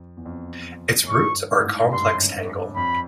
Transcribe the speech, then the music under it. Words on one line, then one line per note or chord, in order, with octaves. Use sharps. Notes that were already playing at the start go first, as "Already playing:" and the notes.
Its roots are a complex tangle.
Already playing: F2
E2
F2
F#2
G2 C#6
G#2
A2
G#2
G2 C6
F#2
F2
F#2
F#2
F2 B5